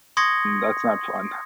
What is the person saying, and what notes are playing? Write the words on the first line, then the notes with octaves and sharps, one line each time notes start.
that's not fun.
C6 C#6 D#6 G#6 A#6 C#7